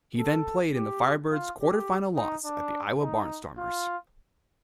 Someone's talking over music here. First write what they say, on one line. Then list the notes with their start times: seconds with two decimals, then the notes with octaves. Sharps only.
He then played in the Firebirds' quarter-final loss at the Iowa Barnstormers.
0.19 A4
0.76 G4
1.32 F4
1.61 G4
2.16 D#4
2.45 D4
3.01 D#4
3.57 F4